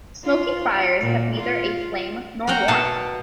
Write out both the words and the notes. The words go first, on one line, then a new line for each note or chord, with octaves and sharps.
Smokey fires have neither a flame nor warmth.
F4
A#2
F4
A#3 F#4 F#5 G5 A#5
B2 A5